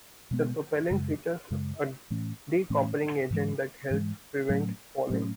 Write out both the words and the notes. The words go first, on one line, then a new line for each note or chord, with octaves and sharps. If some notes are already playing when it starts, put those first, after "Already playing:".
The propellant features a de-coppering agent that helps prevent fouling.
B2 G#3 B3
F#2 C#3 G#3
F#2 C#3 G#3
A2 E3 A3 C#4
A2 E3 A3 C#4
G#2 E3 G#3
G#2 E3 G#3
A2 F#3 A3 C#4
A2 F#3 A3 C#4